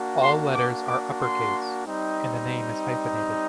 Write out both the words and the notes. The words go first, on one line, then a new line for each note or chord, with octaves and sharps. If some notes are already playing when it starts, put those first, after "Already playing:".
All letters are upper-case, and the name is hyphenated.
Already playing: A#3 D4 F#4
C6
D6
D6
C6
G3 C4 D#4